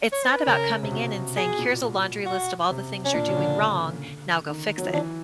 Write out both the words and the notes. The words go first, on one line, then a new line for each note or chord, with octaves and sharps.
It's not about coming in and saying, "Here's a laundry list of all the things you're doing wrong. Now go fix it."
C#5
C5
B4
C#3 A#4
C3
B2
B2 G#4
A#2
B2
F#4
C3
C#4
A#2 D4
C#3
D3
D#3
F#3
F3
E3 D4